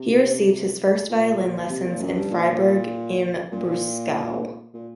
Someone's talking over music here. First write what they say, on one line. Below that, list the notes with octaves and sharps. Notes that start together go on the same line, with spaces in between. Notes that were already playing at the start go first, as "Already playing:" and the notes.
He received his first violin lessons in Freiburg im Breisgau.
Already playing: C3
A#2
C3
A#2
F#2
G2
A#2
A#2
A#2